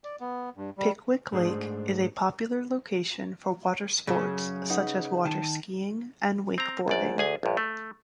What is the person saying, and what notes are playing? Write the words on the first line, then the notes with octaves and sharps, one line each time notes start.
Pickwick Lake is a popular location for water sports such as waterskiing and wakeboarding.
D5
B3
G2
G3
G#2 A3 D4 E4 G#4 C5
F#2 C#3
D#4 B4 F#5
D#3 A5
C4 A#5
A#1 F#2 D5
D2 G#4 G#5
A#1 G2
A3